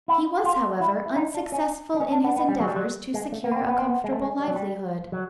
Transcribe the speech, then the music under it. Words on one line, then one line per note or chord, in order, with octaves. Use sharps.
He was, however, unsuccessful in his endeavours to secure a comfortable livelihood.
E4
F4
E4
E4
D#4
D4
C#4
D4
C#4
D4
B3
B3
G3
F#3
G3
F#3
G#3
A3
A#3
B3
C4
B3
C4
B3
G#3
A3
G#3
G3
F#3
G3
F#3